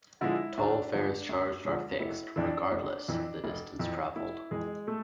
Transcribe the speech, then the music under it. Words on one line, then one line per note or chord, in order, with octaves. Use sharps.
Toll fares charged are fixed regardless the distance travelled.
D3 F3 G#3 E4
D2 D4
D3 F3 G#3
D2
D3 F3 G#3
F1 E4
F2 E3 D4
F1
F2 E3
F1
F2 E3
F1 E4
F2 E3 G#3 G#4
A3 A4